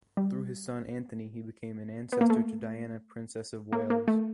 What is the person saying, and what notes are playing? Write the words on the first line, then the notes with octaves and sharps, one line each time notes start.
Through his son Anthony, he became an ancestor to Diana, Princess of Wales.
G3
B3
A#3
A3
A#3
A#3
A3